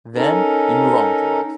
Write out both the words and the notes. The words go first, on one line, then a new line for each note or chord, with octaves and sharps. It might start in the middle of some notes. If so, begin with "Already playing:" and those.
Then, you move on with your life.
C#4 D#4 A4 A#4